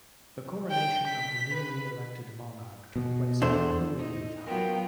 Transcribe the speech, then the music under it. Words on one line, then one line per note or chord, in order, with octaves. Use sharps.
The coronation of the newly elected monarch took place on Kurultai.
G5
B6
B4
B2
E2 D4 A4 C5
D#4
F#3 B3 F4 A#4 G5